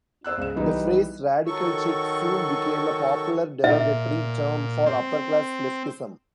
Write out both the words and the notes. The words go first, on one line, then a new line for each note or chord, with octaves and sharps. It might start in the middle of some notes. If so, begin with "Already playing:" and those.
The phrase "radical chic" soon became a popular derogatory term for upper-class leftism.
C5 D5 E6 F#6
C#2 E7
B1 E3 G3 D#4
D#3 F#3 A4 C#6
A#2 E5
C4